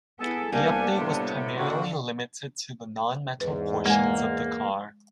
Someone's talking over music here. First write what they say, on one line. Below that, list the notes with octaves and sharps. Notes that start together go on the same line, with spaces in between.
The update was primarily limited to the non-metal portions of the car.
B3 E4 G#4 A4
C2 G3 A#3 B3 D4 G#5
A2 C3
D3 D#3 A#3 F#4
E2 G#2 B4
G#3 A#3 F#5 G#5